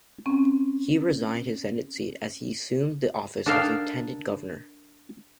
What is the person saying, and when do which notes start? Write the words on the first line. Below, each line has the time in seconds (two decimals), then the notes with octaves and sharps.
He resigned his Senate seat as he assumed the office of lieutenant governor.
0.26 C4 C#4
3.46 D4 D#4 A4 A#4 F5 G5